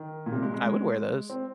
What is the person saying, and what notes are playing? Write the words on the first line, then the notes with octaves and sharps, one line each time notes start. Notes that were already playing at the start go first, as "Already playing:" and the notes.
I would wear those.
Already playing: D#3
A#2
C3
G#3
G#3
C4